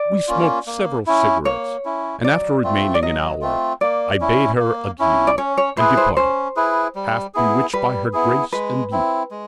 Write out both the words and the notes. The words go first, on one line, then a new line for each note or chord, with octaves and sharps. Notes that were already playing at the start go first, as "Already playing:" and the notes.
We smoked several cigarettes, and, after remaining an hour, I bade her adieu and departed, half bewitched by her grace and beauty.
Already playing: D5
A#3 C#4 F4
A#3
C#4 E4
A#3 C#5
C#4 E4
F#3 D5
A3 C4 F4
D5
F#3 D#5
A3 C4 F4
A#3 D5
C#4 E4
A#3
C#4 E4
D5
C#4 C#5
C#5
E4 G#4 B4 C5
C5
C#4 C5
E4 G#4 B4
G3
B3 E4 G#4
G3 B4
B3 E4 G#4
G#3 B4
C4 E4
G#3